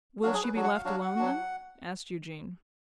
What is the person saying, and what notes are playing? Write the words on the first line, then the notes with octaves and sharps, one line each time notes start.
'Will she be left alone then?' asked Eugene.
F#3 D4 F#4 F5
G#4
B4
F#3 D4 F#4
F#5
F5
F#3 D4 F#4 F5
F#5
F#3 D4 F#4